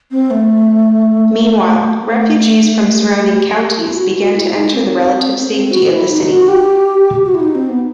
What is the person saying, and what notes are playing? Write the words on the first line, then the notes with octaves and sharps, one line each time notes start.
Meanwhile, refugees from surrounding counties began to enter the relative safety of the city.
C4
A3
A3
A3
G4
E4
F#4
F#4
E4
D#4
C4
C4
F#4
E4
D#4
F#4
G4
F#4
E4
D#4
C4
B3